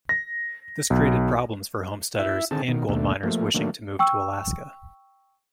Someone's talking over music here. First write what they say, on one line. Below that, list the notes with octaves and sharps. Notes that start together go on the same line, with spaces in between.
This created problems for homesteaders and gold miners wishing to move to Alaska.
A#6
B1
E4 E5
D3 D#3 C4 G#4 A5
B2 D#3
D#2 B2 A3 D4
F3 A3 A#3
D#3 F#3 A3 A#3 D4
G5 C#6 E6